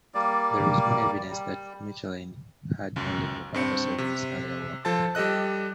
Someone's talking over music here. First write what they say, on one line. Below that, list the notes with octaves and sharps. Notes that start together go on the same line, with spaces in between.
There is no evidence that Michelin had knowledge of Arthur Savage's earlier work.
G3 A#3 D5
G3
C#2 F#2
G2 C4 C#7
C3
F3 A4 C5 A5 A6
G3 G4 A4 D#5 F#6